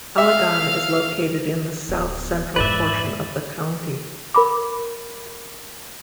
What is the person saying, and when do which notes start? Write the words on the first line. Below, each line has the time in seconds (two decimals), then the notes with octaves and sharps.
Allegan is located in the south-central portion of the county.
0.18 E5 F5 F6
1.89 D1 B3
2.56 F2 G#2 B4 D5 E5
4.34 A#4 B5 D6